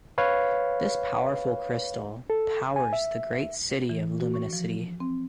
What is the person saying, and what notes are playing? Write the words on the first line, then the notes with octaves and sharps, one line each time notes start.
This powerful crystal powers the great city of Luminicity.
B4 C#5 F5
A4
G#5
E5
E3
F#4
C#6
F3
C4